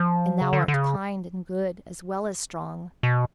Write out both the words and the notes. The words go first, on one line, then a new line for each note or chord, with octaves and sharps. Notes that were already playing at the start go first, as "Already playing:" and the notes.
And thou art kind and good, as well as strong.
Already playing: F3
C#3
D3
D3
C#3
B2